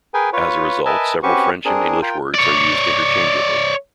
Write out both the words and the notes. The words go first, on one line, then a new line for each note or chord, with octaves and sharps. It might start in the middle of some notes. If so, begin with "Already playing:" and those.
As a result several French and English words are used interchangeably.
G#4 A#4 B4 G5 G#5
F4 B4 C#5
A#4 B4 D#5 E5 G#5 A5
C4 C#4 F#4 G4 B4 C#6
C4 D4 G#4 A#4
F4 A#4 G5
C#5 D5